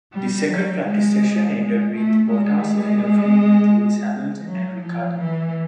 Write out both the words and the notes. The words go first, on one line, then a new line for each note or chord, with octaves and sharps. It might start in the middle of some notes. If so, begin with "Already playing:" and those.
The second practice session ended with Bottas ahead of teammate Lewis Hamilton and Ricciardo.
G3
F#3
G#3
G#3
A3
G#3
F#3
F3
E3